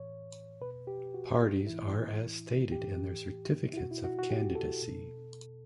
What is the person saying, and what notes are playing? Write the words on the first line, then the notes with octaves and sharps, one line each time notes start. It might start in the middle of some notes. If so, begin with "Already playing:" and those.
Parties are as stated in their certificates of candidacy.
Already playing: A2 E3 C#5
B2 B4
G4
F#4
A2 E3 E4
A2 E3 G4
E4
B2 F#4
E4
F#4
F#4
G4
A4
B2